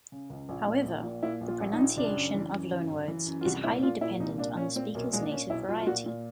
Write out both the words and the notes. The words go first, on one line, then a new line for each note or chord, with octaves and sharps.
However, the pronunciation of loanwords is highly dependent on the speaker's native variety.
C#3
C#2
A#1
A#2
A#1
A#2
A#2 E4
A#1
F4
A#1
D#4
A#1
F#1 D4
F#2
E3
F#2
C#3
F#2
E3
F#2
F4
C2 F#4
A#2 E4
A#2 F4
A#2 E4
C2 D#4
A#2 D4
A#2 C#4
A#2 C4
B1 A#3
A#2 G#3
D4
A#2 C#4
B1 E4
B1 F4
F4
A#2 F#4
A#2